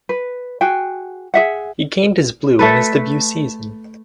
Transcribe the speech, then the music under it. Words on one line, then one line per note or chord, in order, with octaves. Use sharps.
He gained his blue in his debut season.
B4
F#4 G#4 G5
G#4 E5 F#5
A3 A4 B4